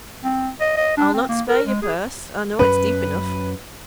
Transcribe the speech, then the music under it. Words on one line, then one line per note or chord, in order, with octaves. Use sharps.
I'll not spare your purse,--I know it's deep enough.
C4
D#5
D#5
D4
C4
A#3
A#4
G#3
G#4
F#2 C#4 B4